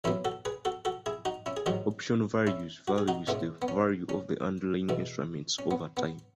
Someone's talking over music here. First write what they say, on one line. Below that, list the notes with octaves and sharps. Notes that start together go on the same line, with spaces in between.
Option values vary with the value of the underlying instrument over time.
A1 A2 F#3 B3 C#4 E4
F#4 A4
G#4 B4
F#4 A4
F#4 A4
E4 G#4
D#4 F#4
C#4 E4
G#4
A1 G#2 D#3 F#3 D#4 F#4
C#4 E4
F#4
G#4
D#4 F#4
A2 G#3 B3 C#4 E4
B3
C#4
C#4
E2 B2 A3
C#4
B3
B3